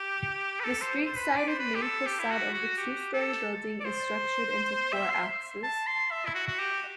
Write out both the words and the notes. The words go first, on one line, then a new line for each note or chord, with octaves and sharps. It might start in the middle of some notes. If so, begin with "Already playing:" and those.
The street-sided main facade of the two-story building is structured into four axes.
Already playing: G4
B4
A4
C5
C5
B4
D5
C5
B4
G4
A4
G4
E4
F#4
F#4
G4
A4
D5
C5
E5
C6
A5
C6
E5
E4
F#4
F#4
G4